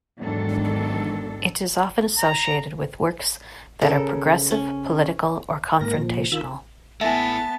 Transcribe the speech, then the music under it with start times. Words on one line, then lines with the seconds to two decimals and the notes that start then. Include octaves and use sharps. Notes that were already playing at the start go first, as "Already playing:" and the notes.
It is often associated with works that are progressive, political, or confrontational.
0.19 E2 G#2 D#3 F#3 D4 A4
2.18 A#5
3.81 C#3 A4 A#4
4.51 C#4
5.81 G#2 A#3 A#4 A#6
5.97 A#2 F3
6.32 D#3 F4 B5 E6
7.01 A3 B3 E4 E5 G#5 A5